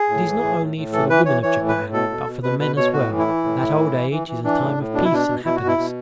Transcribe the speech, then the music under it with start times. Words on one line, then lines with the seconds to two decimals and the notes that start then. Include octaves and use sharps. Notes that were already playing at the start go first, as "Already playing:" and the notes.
It is not only for the women of Japan, but for the men as well, that old age is a time of peace and happiness.
Already playing: G#4
0.09 A2
0.26 E3
0.42 A2
0.59 A2
0.76 A2
0.92 E3 A4
1.09 E3 B4
1.26 E3 C#5
1.43 E3 C#5
1.59 A2
1.68 B4
1.76 A2
1.93 B2 A4
2.10 B2
2.26 B2
2.43 B2 B4
2.60 B2 B4
2.76 B2 C#5
2.93 A2 F#4
3.10 E3
3.18 E4
3.27 E3
3.44 A2
3.61 A2
3.77 E3
3.94 E3
4.10 E3
4.28 E3
4.44 E3 D4
4.61 A2
4.77 A2
4.94 B2 D4
5.04 E4
5.11 B2 D4
5.28 B2
5.45 B2 E4
5.56 F#4
5.61 B2
5.67 E4
5.78 B2